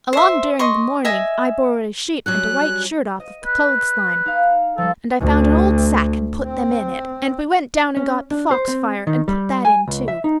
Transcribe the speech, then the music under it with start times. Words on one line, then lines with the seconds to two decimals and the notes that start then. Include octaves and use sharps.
Along during the morning I borrowed a sheet and a white shirt off of the clothes-line; and I found an old sack and put them in it, and we went down and got the fox-fire, and put that in too.
0.13 C5 E5
0.59 D#5 C6 C#6
1.05 D#5 E5 G#5
2.26 F#3 G3 C#4 F#6
3.20 D#5
3.45 B4
4.26 D#4 F5
4.78 F3 G3 A4
5.21 D2
6.46 C4
7.97 C#4
8.31 D4
8.51 C5
8.68 C4
9.07 D#3
9.28 G3
9.65 G#5
9.88 C#2
10.08 E5
10.24 D#4